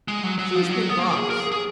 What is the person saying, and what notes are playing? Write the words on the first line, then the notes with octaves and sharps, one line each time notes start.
She's been boss.
G#3
F#3
F#3
F3
F#3
B3
A#3
A#4
G#4
A#4
G#4
G#4